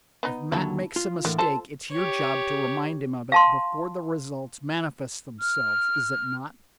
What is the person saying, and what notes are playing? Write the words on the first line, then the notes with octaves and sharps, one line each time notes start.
If Matt makes a mistake, it's your job to remind him of it before the results manifest themselves, is it not?
B3 D#4
D#2 D3 F#3 E4 A4
F4
A2 D3 E3 A#3
F4 A4 C5 A5
G4 C#5
F5 A5 C6
F6